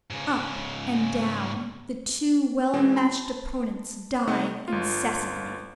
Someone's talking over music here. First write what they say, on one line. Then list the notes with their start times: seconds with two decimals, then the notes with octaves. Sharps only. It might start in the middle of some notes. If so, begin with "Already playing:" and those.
Up and down, the two well-matched opponents dive incessantly.
0.10 G#2 C#3
2.73 B2 E3 G#3 C4
2.96 A5 B5
4.27 C3 A3 C4 D#4 F#5 G5
4.68 G1 F4